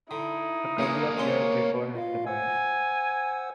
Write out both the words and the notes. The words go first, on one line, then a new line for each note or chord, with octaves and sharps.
A couple of years before his demise.
D3 D#4 E4
E3 A#3 G#4 A#4 C#5
G#3 C#5 C6
F4 D#5 F5
C5 F#5 G#5 E6